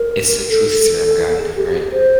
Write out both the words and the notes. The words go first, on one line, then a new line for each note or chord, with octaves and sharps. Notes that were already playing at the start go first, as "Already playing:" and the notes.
It's the truth serum gun, right?
Already playing: A#4
A4
A4
A4
A4
G#4
G4
G4
G#4
C5